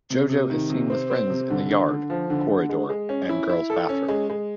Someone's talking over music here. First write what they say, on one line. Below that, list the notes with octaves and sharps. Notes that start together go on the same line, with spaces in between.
JoJo is seen with friends in the yard, corridor and girls' bathroom.
C3
C3
D#3
C3
C4
C4
C3
D3
D3
D3
F3
D3
D3
G#3
G#3
C#4
E4
E4
A4
C#4
G#3
G#3